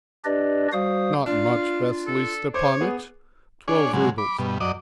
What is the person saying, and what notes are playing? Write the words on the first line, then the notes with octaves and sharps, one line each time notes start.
"Not much, Vasily Stepanych--twelve rubles."
D4 G4 B4 D5 D#5
G3 F#4 C5 F5 D#6
D4 F4 F5
A4
C5 C#5 D6
B3 G#4
D4 G#4 C#5
G#2 C#3 F#3 G#3
B5 D6
G2 B2
F#2 D5 D#5